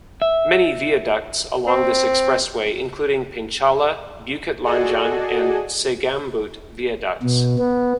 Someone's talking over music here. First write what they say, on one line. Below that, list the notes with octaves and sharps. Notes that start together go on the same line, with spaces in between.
Many viaducts along this expressway including Penchala, Bukit Lanjan and Segambut viaducts.
E5
C4
F#4 G#4 A4 D5 D#5 G#5
B2
B3